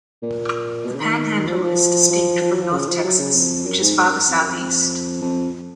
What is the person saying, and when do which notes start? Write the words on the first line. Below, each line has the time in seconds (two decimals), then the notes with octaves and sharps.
The Panhandle is distinct from North Texas, which is farther southeast.
0.23 A#2
0.85 B2
0.95 C#3
1.00 D#3
1.47 F3
1.57 F#3
1.63 F3
2.10 F3
2.42 F3
2.52 F#3
2.62 F3
2.73 C#3
2.88 F3
3.04 F#3
3.20 C#3
3.36 F2
3.66 F#2
3.81 G#2
3.97 G#2
4.07 F#2
4.28 F2
4.39 F#2
4.50 F2
5.22 F2